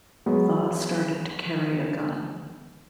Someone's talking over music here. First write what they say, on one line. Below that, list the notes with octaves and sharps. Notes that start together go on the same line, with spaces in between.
Thaw started to carry a gun.
F#3 G#3 B3